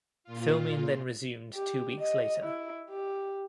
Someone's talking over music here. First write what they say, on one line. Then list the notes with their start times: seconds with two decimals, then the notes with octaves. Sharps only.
Filming then resumed two weeks later.
0.24 A#2 F4
1.54 G4
2.00 D#5
2.45 E4
2.90 G4